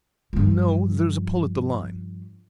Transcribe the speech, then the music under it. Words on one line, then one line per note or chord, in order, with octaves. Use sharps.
No, there's a pull at the line.
G2 F3